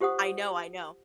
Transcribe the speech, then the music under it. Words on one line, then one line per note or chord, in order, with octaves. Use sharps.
I know, I know.
F4 G4 C5 F#5 D#6